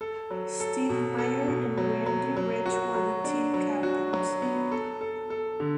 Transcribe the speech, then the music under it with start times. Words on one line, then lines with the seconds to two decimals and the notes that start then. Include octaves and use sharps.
Steve Myer and Randy Rich were the team captains.
0.01 A4
0.30 F#3
0.60 A4
0.90 B2
1.18 A4
1.48 B2
1.77 F#3
2.06 F#3
2.36 F#3
2.66 F#4
2.95 F#3
3.24 D4
3.54 F#3
3.83 F#4
4.13 F#3
4.42 B3
4.72 A4
5.01 A4
5.30 A4
5.60 D3